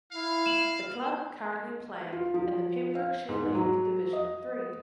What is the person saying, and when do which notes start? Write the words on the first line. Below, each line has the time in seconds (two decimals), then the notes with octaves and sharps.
The club currently play in the Pembrokeshire League Division Three.
0.12 E4 F5
0.46 E7 F#7
2.12 F4
2.34 F3
2.95 F5
3.29 G#2
3.55 F#3
4.13 D#5